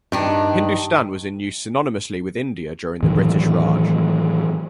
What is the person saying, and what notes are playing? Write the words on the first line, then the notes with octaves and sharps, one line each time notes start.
"Hindustan" was in use synonymously with "India" during the British Raj.
G2 D#3 D4
A2 D#3 E3 F#3